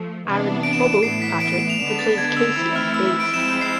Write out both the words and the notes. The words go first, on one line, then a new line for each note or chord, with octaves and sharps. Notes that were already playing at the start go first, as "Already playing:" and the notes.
Aaron "Bubble" Patrick replaced Casey on bass.
Already playing: F3 A3
C3 E3 B3 D4
D7
E7
E7
D7
A2 E3 B3 C7
B6
D7
D7
E7
F7
D3 G#3 B3 D4 E7
A6
G#6
E6
E3 A3 C4 E4 E6
F6
E6
E6
D7
F3 G#3 C4 E4 E7
E7
C7